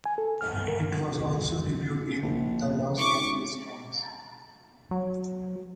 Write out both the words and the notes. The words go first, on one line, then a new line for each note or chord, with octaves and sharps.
It was also reviewed in "The Los Angeles Times".
G#5
A4
F6
G2
A#4
A#1
G#1 C#6 D6
F#3